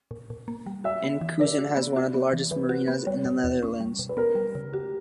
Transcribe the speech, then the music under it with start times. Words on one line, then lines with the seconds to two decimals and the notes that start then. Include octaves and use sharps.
Enkhuizen has one of the largest marinas in the Netherlands.
0.11 A#2
0.30 A#2
0.48 A#3
0.66 G3
0.84 F#4 E5
1.04 B3
1.21 E3
1.40 A#4 D5
1.58 F#4
1.77 B3
1.96 F#4
2.14 B3
2.33 E3
2.51 E3 B4
2.69 F#4
2.88 B3
3.06 G3 C#5
3.26 B2
3.44 E2
3.63 C#4
3.80 G3
3.99 B2
4.09 B4
4.17 B3 A#4
4.35 G3
4.55 C#3
4.72 F#4 G4